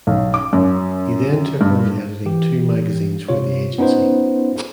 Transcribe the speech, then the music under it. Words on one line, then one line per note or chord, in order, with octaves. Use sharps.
He then took on editing two magazines for the agency.
B1
D6
F#2
G2
E3 G4
C3 F4 C#5
B3 C#4 D#4 F4 B4 C5